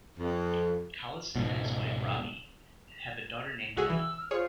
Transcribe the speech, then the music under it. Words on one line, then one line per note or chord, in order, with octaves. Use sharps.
Collison and his wife, Robbie, have a daughter named Emma.
F2
C#2 G#2 B2
C2 F#4 G#4 E6
E3
F6
F4 G#4 C5 C#5